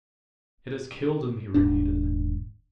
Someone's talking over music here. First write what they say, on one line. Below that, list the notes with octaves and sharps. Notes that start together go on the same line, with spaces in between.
"It has killed him!" he repeated.
D#1 G#2 D4